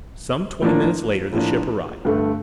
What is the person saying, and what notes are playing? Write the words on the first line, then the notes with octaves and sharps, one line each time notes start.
Some twenty minutes later the ship arrived.
A2 F3 A#3 D4
A2 F3 A#3 D4
G2 D3 A3